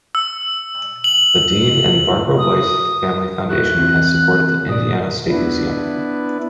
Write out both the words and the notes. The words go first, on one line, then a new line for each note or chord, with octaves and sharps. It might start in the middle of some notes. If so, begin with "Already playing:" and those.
The Dean and Barbara White Family Foundation has supported the Indiana State Museum.
E6
F#7
D#6
E4 F#4 A4 F#6
E3 C4
A#2 D5 D#6
B3 D4 E4 B4